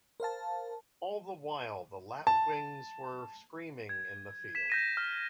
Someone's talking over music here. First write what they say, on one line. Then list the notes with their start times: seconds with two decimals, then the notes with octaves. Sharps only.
All the while the lapwings were screaming in the field.
0.20 A#4 C5 F5 A5
2.27 A5
3.89 G#6
4.55 B6 E7
4.70 G6 A#6 D#7
4.97 F6